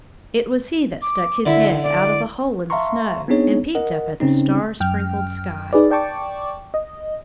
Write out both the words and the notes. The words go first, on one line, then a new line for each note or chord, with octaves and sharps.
It was he that stuck his head out of a hole in the snow and peeped up at the star-sprinkled sky.
D6
D3 E4 E5
D5
E5 F5 A5 A#5 C6 C#6
B3 C4 D4 D#4 G#4 C#5
A#4 D#5 F#5
C#3 C4 C#4 D#4
F#2 G5 F6
D#4 G#4 B4 D5
D5 G5 A5 C#6 D6
D#5